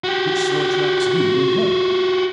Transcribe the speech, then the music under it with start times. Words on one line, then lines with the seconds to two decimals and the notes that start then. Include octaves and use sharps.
Which so attracts you in her.
0.04 F#4 G4